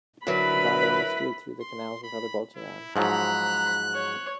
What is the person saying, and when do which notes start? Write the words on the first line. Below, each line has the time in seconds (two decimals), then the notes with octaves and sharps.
A gondola is steered through the canals with other boats around.
0.27 D3 F#3 E4 A#4 B4 B5
1.61 C6
2.04 B5
2.56 E4
2.96 G#2 F3 F#3 A#5 B5 F#6
3.94 C#5